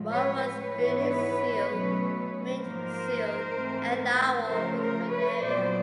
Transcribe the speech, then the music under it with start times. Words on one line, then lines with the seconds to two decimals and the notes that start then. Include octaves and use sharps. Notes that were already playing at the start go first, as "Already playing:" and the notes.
Walrus, bearded seal, ringed seal, and narwhal frequent the area.
Already playing: A2 F3 G#3
0.11 B4 C#5
0.43 B4 C#5
0.74 G#2 E3 G#3 B3 E4
1.67 B2 F#3 A3 C#4
2.61 G#2 F3 A#3 A#4 C5
3.55 G#2 E3 A3 C4
4.48 C#3 F3 A3 A#4 C5
4.80 A#4 C5
5.11 B4 C#5
5.42 A#2 F#3 B3 C5 D5